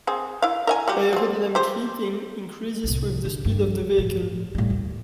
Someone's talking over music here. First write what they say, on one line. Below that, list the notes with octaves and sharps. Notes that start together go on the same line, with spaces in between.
Aerodynamic heating increases with the speed of the vehicle.
C4 G#4
E4 F5
A#4 E5 G#5
G3 F#4 G4
G#3 C4
G4 C5
C2 A2
D3
G2
A2 F3
A2 G3
D#2